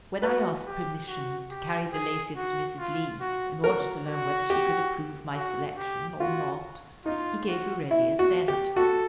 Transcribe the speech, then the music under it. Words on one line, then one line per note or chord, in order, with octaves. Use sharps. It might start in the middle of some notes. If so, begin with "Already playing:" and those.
When I asked permission to carry the laces to Mrs. Lee, in order to learn whether she could approve my selection or not, he gave a ready assent.
F#4 B4
G4
F#4
G4
G#4
F#4
F4
F#4
F#4 A#4
F#4
G4
F#4
G4
F4 F#4
D#4 F4
F#4
E4
F#4
G4
F#4 A4